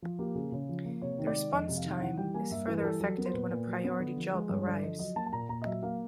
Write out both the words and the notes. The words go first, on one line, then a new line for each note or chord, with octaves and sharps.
The response time is further affected when a priority job arrives.
F3
A#3 G4
C#3 G#4
C#3
F3
A#3
C3 C#5
D#3
D5
G#3
F2 D#5
C3
F5
D#3
F5
E3 F#5
G3 G5
A#3 G#5
G2 E5
E3 B4
A#4
G3 A4
F#3 A4
B3 A#4
C5
A#2 B4
A#2
F#3
B3
D3
F3
G#3
G2 C#5
D3 D5
F3 D#5
F#3 D#5
A#3 A5
A5
A#2 A#5
A#2 A#5
D#5
F#3 E5
A#3 F5